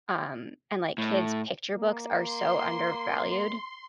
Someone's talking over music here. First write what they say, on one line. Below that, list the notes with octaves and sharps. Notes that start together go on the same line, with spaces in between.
um and like kids picture books are so undervalued,
A2
A#3
C6